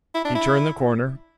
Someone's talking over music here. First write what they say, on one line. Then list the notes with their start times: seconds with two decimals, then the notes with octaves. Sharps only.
He turned the corner.
0.14 E4
0.25 D4
0.35 E4